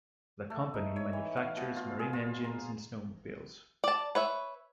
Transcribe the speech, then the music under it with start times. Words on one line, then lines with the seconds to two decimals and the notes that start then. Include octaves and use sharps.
The company manufactures marine engines and snowmobiles.
0.50 A3
0.74 D#4
0.96 C#5
1.13 E3
1.37 F5
1.57 B2
1.76 F4
1.99 G#4
2.13 F4
2.44 A#5
3.84 D5 A5
4.15 B4 C#5 E5